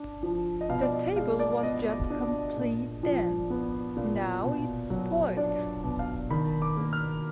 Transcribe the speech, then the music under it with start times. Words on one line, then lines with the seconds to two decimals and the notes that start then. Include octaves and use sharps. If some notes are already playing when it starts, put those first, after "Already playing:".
The table was just complete then: now it's spoilt.
Already playing: D4
0.23 F3
0.61 D#5
0.69 B2 F5
0.82 D5
0.93 D#5
1.16 G#3 F5
1.39 D5
1.63 B3 D#5
2.10 D4
2.57 A#2
3.03 F3
3.50 B3
3.97 A#2
4.44 B2
4.90 F#3
5.37 D4 D5
5.84 B2
5.99 F5
6.30 D#3 B5
6.62 D6
6.77 A#3
6.93 F6